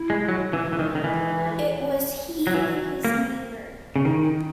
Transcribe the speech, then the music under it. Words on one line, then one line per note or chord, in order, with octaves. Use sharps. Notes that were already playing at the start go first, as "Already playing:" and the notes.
It was he and his neighbour.
Already playing: E4
G#3
F#3
E3
E3
D#3
D#3
E3
F#3
E3 F#4
A#3
C#3
D#3 E4
E4